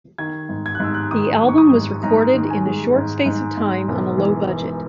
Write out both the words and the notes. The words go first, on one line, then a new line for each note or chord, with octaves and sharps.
The album was recorded in a short space of time on a low budget.
D#3 G#6
G#2
G#6
F#6
G#2 E6
F#6
D#3 D#6
D#3
C#6
D#6
G#2
G#2 A#5
D#3
G#5
G#3
G#2
G#2
G#2
E1
E3
E3